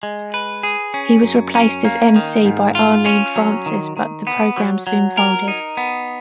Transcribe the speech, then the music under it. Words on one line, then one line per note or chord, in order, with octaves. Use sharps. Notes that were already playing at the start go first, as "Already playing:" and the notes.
He was replaced as emcee by Arlene Francis, but the program soon folded.
G#3
B4
G#4
C#4
F#2
C#4
A#3
D#3
G#2
F4
C#4
F#3
D#3
D#3
B3
F#3
F#3
A#4
D#4
B3